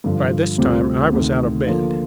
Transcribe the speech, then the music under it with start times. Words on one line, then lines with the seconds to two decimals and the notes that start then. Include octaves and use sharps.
By this time I was out of bed.
0.04 G2 D3 F3
0.58 D2 C3 G3 C4 F4
1.13 D2 C3 D#3
1.67 D3 F3 A#3 F4